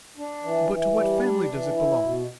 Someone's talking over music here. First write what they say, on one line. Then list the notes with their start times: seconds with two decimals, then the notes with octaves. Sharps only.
"But to what family does it belong?"
0.18 D4
0.44 E3
0.70 E3
0.96 G3
1.23 D4
1.49 E3
1.74 E4
2.01 B2